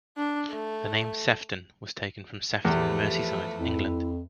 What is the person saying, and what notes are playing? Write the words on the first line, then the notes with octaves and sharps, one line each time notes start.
The name Sefton was taken from Sefton in Merseyside, England.
D4
A3
E2 F3 A3 G4 B4
F2 E4